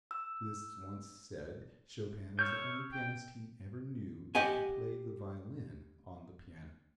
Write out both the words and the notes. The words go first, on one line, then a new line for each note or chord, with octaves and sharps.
Liszt once said Chopin was the only pianist he ever knew that could play the violin on the piano.
E6
C#5 E6 F6 G6
G5
G4 D#5 F#5 G#5